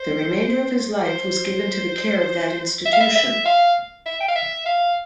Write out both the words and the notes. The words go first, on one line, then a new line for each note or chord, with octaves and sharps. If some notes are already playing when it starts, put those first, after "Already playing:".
The remainder of his life was given to the care of that institution.
Already playing: C5
C5
E5
F5
E5
E5
F5
E5
G5
F5
E5
F5